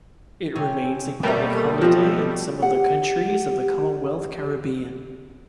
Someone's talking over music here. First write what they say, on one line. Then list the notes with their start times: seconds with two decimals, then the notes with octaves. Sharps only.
It remains a public holiday in some of the countries of the Commonwealth Caribbean.
0.56 C3 C#4
1.23 B2 G3 A3 A#3 A#4
1.81 F3 F#4 G4 D#5
2.62 G4 F#5